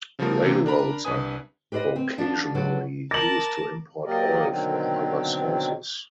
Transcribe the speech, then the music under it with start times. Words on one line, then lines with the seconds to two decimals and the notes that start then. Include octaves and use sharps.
Railroads are occasionally used to import oil from other sources.
0.19 C#3 F3 G3 A3 B3 A#4
0.42 C3 E3 A#3 C4
0.66 D4 A#4 A#5 B5
1.05 C2 D4 B4 G#5 D#6
1.72 G4 B4 C5 D5 D#5
1.96 C4
2.18 F3 D4 F4 F#4
2.55 D3 F#3 G4 B4
3.11 A#4 A5 A#5 D6 A6 A#6 F#7
4.06 F#3 A#3 G4 A#4 D5 D#5
4.46 B2 D3 D#3 F#3 C4